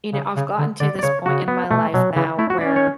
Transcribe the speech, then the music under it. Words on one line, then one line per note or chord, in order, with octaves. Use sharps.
you know, I've gotten to this point in my life now where,
C#3
C#3
D3
D3 D5
D5
C#3 C#5
C#3 F#4
B3
B2 A3
B2 F#3
C#3 E3
A3 E4
F#4
C#4 D5
C#5